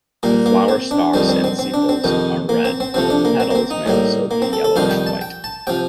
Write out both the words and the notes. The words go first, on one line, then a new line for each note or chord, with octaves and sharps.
The flower stalks and sepals are red, but the petals may also be yellowish-white.
A#2 G3 A#3
A#3
C4
D4
F2 D#3 G3 C4
C4
C4
C4
D4
C4
F2 C3 D#3
A#3
C4
C4
C3 F3 A3 C4
D4
A#3
C4
A#3
C4
D#4
A2 G3 A#3
A#3
C4
A4
A4
F2 C3 D#3 G3 F5
G5
A5
G5
A5
C3 F3 G5